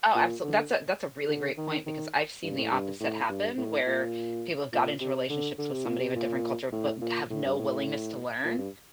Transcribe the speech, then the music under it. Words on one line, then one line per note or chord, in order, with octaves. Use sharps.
Oh, absol that's a that's a really great point, because I've seen the opposite happen, where people have got into relationships with somebody of a different culture, but have no willingness to learn,
A#2
D3
D3
D#3
D#3
G2
A2
G2
A2
G2
A2
A#2
A#2
C3
D3
D3
C3
A#2
C3
A#2
A2
A#2
A2
G2
A2
A#2
G2